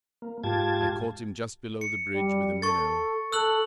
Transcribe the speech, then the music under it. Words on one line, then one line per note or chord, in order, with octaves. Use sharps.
I caught him just below the bridge with a minnow.
A#3
G#2 F4 G4 A5 G#6
C#7
G3
A4 C#6 A6
A4 E6 F#6 F#7